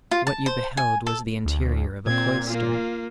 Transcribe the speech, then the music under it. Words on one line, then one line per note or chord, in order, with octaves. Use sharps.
What you beheld was the interior of a cloister.
F4
A5
C5
G#5
A4
D2
A#2 C4 G#6
A#3 F4